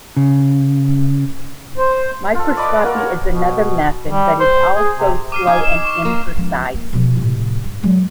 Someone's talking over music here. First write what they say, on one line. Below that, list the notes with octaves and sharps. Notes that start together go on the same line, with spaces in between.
Microscopy is another method but is also slow and imprecise.
C#3
C5
F4 A4
D5 D#5 B5 D6
B4
A#3 F#4 A#4
C#5
B2
G3
C5
G#4
C3
D6 F6 C7 D#7
D#4 G#5
E7
C#6
A#3
C#2 F3
A#3
B2 F3
A2 C3
G2
F#3 G#3